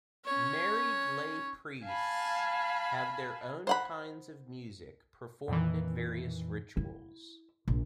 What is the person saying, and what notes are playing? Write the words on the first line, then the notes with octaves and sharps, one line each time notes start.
Married lay priests have their own kinds of music, performed at various rituals.
C#4 C#5
F5 G#5 A5 B5
C5 F#5 B5
F2 A#2 D#3 E3
E4
A#1